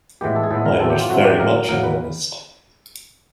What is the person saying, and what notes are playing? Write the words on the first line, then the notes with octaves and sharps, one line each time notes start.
I was very much in earnest.
A2 E3 G#3 B3 G4
A4
G#4
A2 E3 G#3 B3 A4
A#4
A2 F#3 A3 C4 A4
G4
F4
A2 F#3 A3 C4 F#4
G4
A2 F#3 A#3 A#4
A2 F#3 A#3 A#4
B4